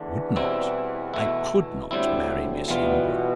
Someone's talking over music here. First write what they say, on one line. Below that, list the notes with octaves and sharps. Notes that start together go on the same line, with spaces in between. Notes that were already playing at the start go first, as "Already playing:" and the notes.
I would not--I could not--marry Miss Ingram.
Already playing: E2 D3 E3 A3 D4
B2 G3 C4 E4
B2 A3 E4
D2 A2 D3 G3 C4 E4
B2 E3 G3 B3 F4